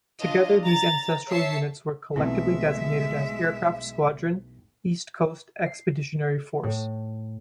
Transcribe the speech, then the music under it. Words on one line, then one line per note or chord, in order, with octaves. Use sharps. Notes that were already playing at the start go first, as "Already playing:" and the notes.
Together, these ancestral units were collectively designated as Aircraft Squadron, East Coast Expeditionary Force.
D4 F4 D#5
A#5 A6
C#5 E5 A5 C7 C#7
B1 E3 G#3 A3 C4 E4 E5
C7
A2